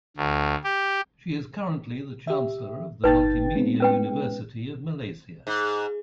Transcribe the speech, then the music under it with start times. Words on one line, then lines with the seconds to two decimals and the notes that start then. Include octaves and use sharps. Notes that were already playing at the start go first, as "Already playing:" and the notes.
She is currently the chancellor of the Multimedia University of Malaysia.
0.17 D2
0.64 G4
2.27 G4 E5
3.04 G1 D#4 B4 G5 A6
3.55 G#3 B3 C4
3.80 C#4 B4 G5
5.47 G#2